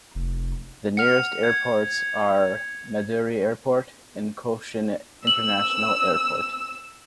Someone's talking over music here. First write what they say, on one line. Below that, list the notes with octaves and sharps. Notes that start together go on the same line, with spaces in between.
The nearest airports are Madurai Airport and Cochin International Airport.
F1
F#5 F6 C#7 F7
G#6
E6 F#7